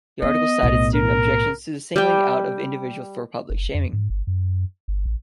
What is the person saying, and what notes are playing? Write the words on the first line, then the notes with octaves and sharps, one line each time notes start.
The article cited student objections to the singling out of individuals for public shaming.
B3 D#5
B1 A2
A#4
G3 G5
F#1
F2
G#2
G1
F#2
G1
A1